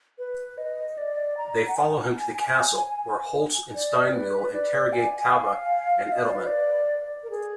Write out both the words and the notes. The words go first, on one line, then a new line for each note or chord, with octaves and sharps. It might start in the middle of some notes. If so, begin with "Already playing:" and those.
They follow him to the castle, where Holtz and Steinmuhl interrogate Talbot and Edelmann.
B4
D#5
D5
A#5
F#5
G#5
D5
B4
D5
G#5
F5
D#5
D5
B4
D5
A#4
G#4